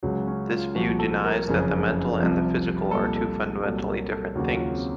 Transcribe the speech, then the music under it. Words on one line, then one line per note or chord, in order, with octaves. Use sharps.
This view denies that the mental and the physical are two fundamentally different things.
C#2 C#3 F#3
C#4
F4
C2 A#2 F3 F#4
A4
A#4
F#1 F2 C#3
C2 C3 F3
C2 A#2 F3 A4
A4
A4
C2 A#2 F#3 A4
A#4
A4
D#2 C#3 F#3 F#4
F4
C4